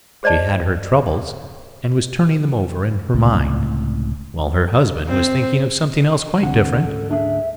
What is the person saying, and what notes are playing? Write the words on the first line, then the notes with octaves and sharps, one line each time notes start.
She had her troubles, and was turning them over in her mind, while her husband was thinking of something else quite different.
G#4 C5 D5 D#5 A5
C#2 A2 C3
C4
D#1 C2 D3 C4 F#5
D2 G#2 C#4 A4
D4 G#4 E5